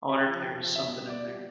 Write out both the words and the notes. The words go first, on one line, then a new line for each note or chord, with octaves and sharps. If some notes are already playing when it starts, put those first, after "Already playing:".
I wonder if there's something in there.
C3 E5
G5
F3
C3 G5
F3
B2 E5
G3
B2 D5
G3